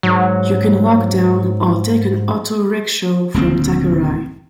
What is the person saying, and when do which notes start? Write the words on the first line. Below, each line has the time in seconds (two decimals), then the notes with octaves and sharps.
You can walk down or take an auto rickshaw from Takari.
0.03 G#2 F#3
3.34 D#1 D2 C4